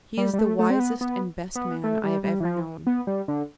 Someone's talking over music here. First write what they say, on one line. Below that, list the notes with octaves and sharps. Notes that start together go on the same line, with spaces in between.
He is the wisest and best man I have ever known.
G3
G3
A3
A3
C4
B3
B3
B3
A3
G3
G3
E3
F3
B3
G3
D3